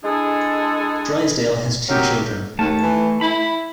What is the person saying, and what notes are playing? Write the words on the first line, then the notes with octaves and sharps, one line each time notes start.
Drysdale has two children.
G#3 D4 E4 G#4 A4
F#3 B3 C4 G4 A4 A#4
D#2 A3 A5
E3
E4 B5